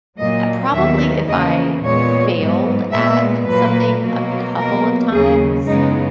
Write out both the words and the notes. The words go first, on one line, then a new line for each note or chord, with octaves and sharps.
I probably, if I failed at something a couple of times,
A#2 F#3 A#3 D#5
D#2 D#3 F#3 B3 E5
E2 C#3 E3 A#3 D#5
A#2 G#3 B3 C#5
G#2 F#3 B3
A#2 G#3 B3 E5
A#2 F#3 A#3 B4
B2 F#3 A#3
B2 F#3 A#3 A#4
D#2 C#3 F#3 G#4
F#2 C#3 E3 G#3 B3 D#4